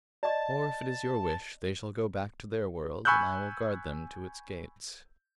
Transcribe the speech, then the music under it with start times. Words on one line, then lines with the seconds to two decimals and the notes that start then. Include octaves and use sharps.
Or if it is your wish they shall go back to their world and I will guard them to its gates.
0.23 D5 D#5 A5
3.05 G#5 B5 C#6 E6 F#6 G6